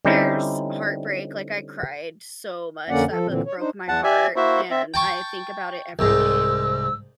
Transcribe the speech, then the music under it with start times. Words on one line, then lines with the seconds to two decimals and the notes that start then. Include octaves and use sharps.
there's heartbreak, like, I cried so much, that book broke my heart, and I think about it every day.
0.05 D3 G3 C4 C#4 D#4 E4
2.89 F2 D3 A#3 C#4 D5 F#5
3.10 F3 A4
3.27 A#2 D3 E3 C4
3.46 C#5
3.59 D4 D#4 C5
3.88 E2 F#5 A5
4.04 G4 D5 E5 G#5
4.36 A#3 E4 F#4 C5 E5
4.70 C4 E5
4.94 G5 A5 C#6
5.99 C2 G#2 E6